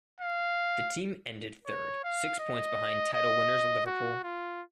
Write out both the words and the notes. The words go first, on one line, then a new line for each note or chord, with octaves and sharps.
The team ended third, six points behind title winners Liverpool.
F5
C#5
F5
D#5
D#5
F#4
F4